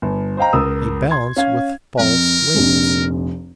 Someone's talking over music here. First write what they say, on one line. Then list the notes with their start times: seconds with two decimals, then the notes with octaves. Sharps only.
A balance with false weights.
0.02 G1
0.37 C5 D#5 F5 G5 A#5
0.53 C#2 A#4 D#6 E6
1.11 C6 G#6
1.36 C#4 F5 G#6
1.99 F2 A#4
2.55 F1 A#1 F2